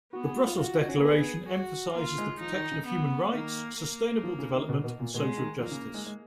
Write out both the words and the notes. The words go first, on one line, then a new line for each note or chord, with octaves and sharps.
The Brussels declaration emphasises the protection of human rights, sustainable development and social justice.
B3 F#4
G#4
F#4
F4
F4 F#4
F4
C#4
A#3
B3 G#4
F#4
A#3 F4
G#3
F3 D#4
D#3
C#3
B3
D#3 A#3
A#3
F3
C#3
D#3
B2
B2
A#2
B2 G#3
D#3
F3 A#3
C#3
G#3
G#3